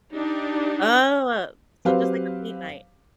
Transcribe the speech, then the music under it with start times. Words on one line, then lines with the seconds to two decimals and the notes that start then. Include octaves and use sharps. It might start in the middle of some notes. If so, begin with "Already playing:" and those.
Oh. So just, like, a paint night.
0.13 D4 D#4 G4 D5
1.85 F#3 C4 G4 B4 C5 F5